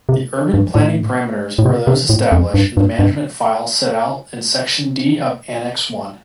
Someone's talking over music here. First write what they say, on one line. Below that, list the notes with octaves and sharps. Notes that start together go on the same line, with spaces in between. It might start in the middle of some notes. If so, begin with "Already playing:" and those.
The urban planning parameters are those established in the management file set out in section D of Annex I.
C3
G2
A2
A2
C3
C3
A2
F2
G2
G2
G2